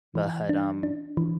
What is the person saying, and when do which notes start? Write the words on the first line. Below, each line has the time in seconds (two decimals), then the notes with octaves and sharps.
but, um,
0.15 E3
0.49 D4
0.83 D4
1.17 E3